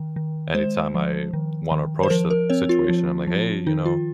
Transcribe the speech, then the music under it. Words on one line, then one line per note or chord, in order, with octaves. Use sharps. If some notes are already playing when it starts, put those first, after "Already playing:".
anytime I wanna approach the situation, I'm like, "Hey. You know,
Already playing: D#3
D#3
G#3 C5
F3
D#3
D#3
C5
F3 A#4
A#4
C4 C#5
F4
F3
F3
D#3 D#4
F4